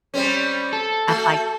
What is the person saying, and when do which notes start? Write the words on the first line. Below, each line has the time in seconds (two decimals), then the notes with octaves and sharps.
I'm, like
0.14 G3 C4 C#4
0.73 A4
1.08 A3 F#4